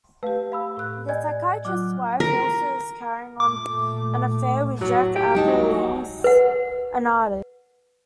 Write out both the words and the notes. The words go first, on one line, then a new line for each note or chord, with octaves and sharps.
The psychiatrist's wife also is carrying on an affair with Jac Applezweig, an artist.
A3 G4 B4 F5
F5 B5 E6
A2 F#6
D5 D#5 G#5 G#6
F#3 F4 D6 F#6
A#4
A#2 A3 D6
A2 F#3
G4
G#3 D#4 A5
F#3
B4 F#5